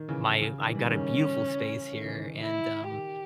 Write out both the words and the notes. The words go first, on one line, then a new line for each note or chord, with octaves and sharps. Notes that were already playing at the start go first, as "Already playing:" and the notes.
my I got a beautiful space here, and, um,
Already playing: D#3
C#3 E3
C#3
D#3
E3
D#3 G3
D#3
C#3 E3 C#4
D#3
C#3 E3
D#3
D#3
E4
D#3 G4